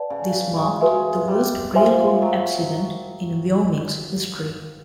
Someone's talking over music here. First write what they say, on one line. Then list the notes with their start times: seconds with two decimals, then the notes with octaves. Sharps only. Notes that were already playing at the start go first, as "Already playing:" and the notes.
This marked the worst railroad accident in Wyoming's history.
Already playing: B4 D5 F#5 A5
0.10 C#3
0.56 G#3
0.81 G#3 F#4 B4 E5
1.28 G3
1.75 F3 C5 E5 G#5 C6
2.22 F#3